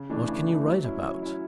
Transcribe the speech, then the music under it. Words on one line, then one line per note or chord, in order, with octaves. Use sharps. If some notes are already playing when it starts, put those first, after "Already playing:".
What can you write about?
Already playing: C#3
E3 A3 D4
C#3
E3 A3 D4
F#3
C#4 E4
F#3
C#4 E4